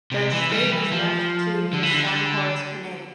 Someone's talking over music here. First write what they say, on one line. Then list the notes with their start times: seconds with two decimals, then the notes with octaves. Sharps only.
The estate was left to his son, Horace Pinhey.
0.12 C3
0.32 E3
0.51 G3
0.72 E3
0.92 F3
1.73 D3
1.83 E3
1.94 D3